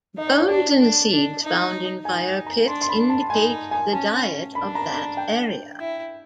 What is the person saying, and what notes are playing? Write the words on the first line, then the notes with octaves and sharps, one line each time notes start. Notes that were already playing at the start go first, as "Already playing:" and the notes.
Bones and seeds found in fire pits indicate the diet of that area.
D#4 D#5
D5
C#5
D4 D5
D4
D4
D#4
D#4 G#5
A#5
D4 C6
C6
B5
D4
A5
D#4 G#5
G#5
C#4 A5
D4 B5
A#5
G5
E4